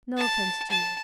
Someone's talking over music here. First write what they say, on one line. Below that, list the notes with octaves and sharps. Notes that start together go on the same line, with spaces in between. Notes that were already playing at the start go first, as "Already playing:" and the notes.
No offence to you.
A5
A5